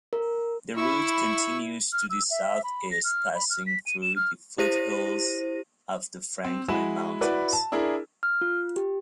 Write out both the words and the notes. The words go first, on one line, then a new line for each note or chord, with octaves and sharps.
The route continues to the southeast passing through the foothills of the Franklin Mountains.
A#4
E4 C#6 E6
F6
E6
E5
B5
A#6
F6
B5
F6
B6
D#7
E7
F6
E4 G4 C5 A#6 D#7
C4
G#3 E4 F#4 G#5 B5 E7
E4 F#4 B4 D5
A5
D4 E4 G#4 A#4
F6
F4
G4